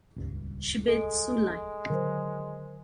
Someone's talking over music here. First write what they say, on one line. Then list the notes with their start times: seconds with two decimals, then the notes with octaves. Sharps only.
Shibetsu Line.
0.16 D#1 C#2 G2
0.88 G#3 A4 D7
1.90 D3 D#3 F#3 A#4 C5